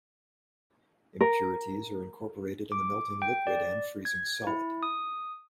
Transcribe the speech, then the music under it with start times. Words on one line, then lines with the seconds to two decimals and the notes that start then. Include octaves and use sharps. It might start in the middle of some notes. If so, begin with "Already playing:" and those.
Impurities are incorporated in the melting liquid and freezing solid.
1.21 A#4
2.72 D6
3.22 G5
3.47 D5
4.05 G#6
4.47 E4
4.83 D#6